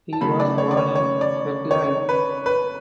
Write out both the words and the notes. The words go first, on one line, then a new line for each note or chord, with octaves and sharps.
He was born in Hetland.
A5
C#3 F#3 A3 B5
D5
C#5
D5
C#5
C#5
D5
C#5
B4
B4